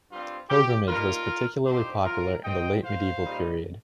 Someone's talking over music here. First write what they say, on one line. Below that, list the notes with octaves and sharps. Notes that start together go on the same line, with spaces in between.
Pilgrimage was particularly popular in the late medieval period.
G2 G3 C4 F4
G4
G2 G3 A#3 D#4 F4 A#4
G2 F3 C4 D#4 G4 C5
F4 A#4
D#3 C4 D#4 D#5 G5
C5 F5
A#2 G3 D#4